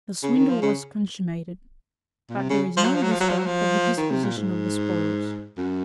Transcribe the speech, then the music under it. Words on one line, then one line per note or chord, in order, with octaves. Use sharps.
The swindle was consummated, but there is no whisper of the disposition of the spoils.
C#3
D#3
F3
C#3
A#2
C3
C#3
F3
F#3
F3
F#3
F3
F#3
F3
F#3
F3
D#3
C3
A#2
G#2
F#2